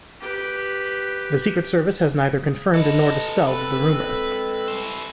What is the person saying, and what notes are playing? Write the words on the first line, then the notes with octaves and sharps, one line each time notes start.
The Secret Service has neither confirmed nor dispelled the rumor.
G4 B4
C#3
A4 B4 D#5
G#3 C4 A4 B4
E4 C5